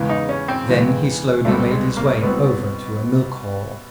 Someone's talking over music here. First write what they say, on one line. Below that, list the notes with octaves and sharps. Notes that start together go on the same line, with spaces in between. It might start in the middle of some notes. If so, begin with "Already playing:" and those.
Then he slowly made his way over to a milk-hall.
Already playing: E2 C#3 E3 G#3 B3
D#4
C#4
C4
E2 C#3 E3 G#3 B3
C#2 B2 G3 A3 C4
G#3
A#3
B2 G3 B3 C4